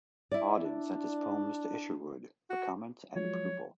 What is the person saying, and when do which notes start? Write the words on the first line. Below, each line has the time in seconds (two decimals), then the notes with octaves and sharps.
Auden sent his poems to Isherwood for comment and approval.
0.31 E4 D5
0.64 D4
2.50 F#4
3.16 F3 F#3 G#3 C#5